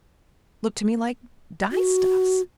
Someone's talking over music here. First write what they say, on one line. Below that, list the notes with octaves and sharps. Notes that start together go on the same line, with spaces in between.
Look to me like dyestuffs.
F#4